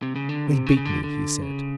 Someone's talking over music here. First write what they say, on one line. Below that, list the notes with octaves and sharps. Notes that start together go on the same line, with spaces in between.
"They beat me," he said.
C3
C#3
D3
C3
C#3
C#3
D3
D3
C#3